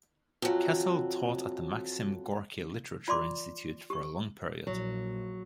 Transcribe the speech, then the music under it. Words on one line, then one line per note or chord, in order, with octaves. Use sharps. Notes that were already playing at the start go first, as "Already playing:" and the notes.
Kassil taught at the Maxim Gorky Literature Institute for a long period.
F2 F#3
F4 D5 C6 D6
G4 C#6
A#1 F#3